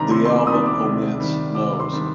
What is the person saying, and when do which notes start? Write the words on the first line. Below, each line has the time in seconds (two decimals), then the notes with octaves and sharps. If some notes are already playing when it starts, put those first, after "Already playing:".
The album omits Nos.
Already playing: C3 D#3 G3 D4 A#5 C6
0.11 C3 C6
0.25 C6
0.29 D6
0.47 D#3 G3 D4 D#6
0.66 D6
0.84 C3
1.19 D#3 G3 D4
1.55 C3 D6
1.80 C6
1.92 D#3 G3 D4